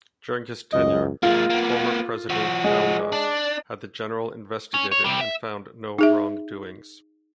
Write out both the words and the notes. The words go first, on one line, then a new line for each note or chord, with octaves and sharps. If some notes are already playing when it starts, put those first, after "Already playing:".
During his tenure, former president Kaunda had the General investigated and found no wrongdoings.
C#2 F#2 D#5
G#3 A#3 F4
A#3 B3
F3 F#4
G#3
D4
C#4
C#5
C3 G3
E5
D#4 G#4 E5